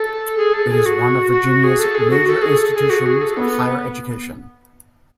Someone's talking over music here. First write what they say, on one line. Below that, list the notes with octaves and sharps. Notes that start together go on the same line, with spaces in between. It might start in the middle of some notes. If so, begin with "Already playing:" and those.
It is one of Virginia's major institutions of higher education.
Already playing: A4
G#4
A4
G#4
F#4
F#4
G#4
A4
G#4
F#4
A4
G#4
A4
G#4
F#4
G#4
A4
B3